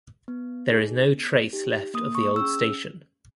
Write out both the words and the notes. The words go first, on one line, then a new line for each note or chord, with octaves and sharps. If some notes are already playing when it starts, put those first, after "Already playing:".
There is no trace left of the old station.
B3
D#4 G#4
B3
D#4 G4
A#3 D#6
C#6
C#4 G#4 E6